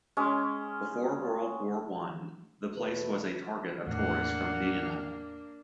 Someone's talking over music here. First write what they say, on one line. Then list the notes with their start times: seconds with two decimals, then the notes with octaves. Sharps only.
Before World War One the place was a target of tourists from Vienna.
0.17 G#3 C#4
2.76 E2 B2 A3 A4 B4
3.87 E2 A2 A#3 D4 F#5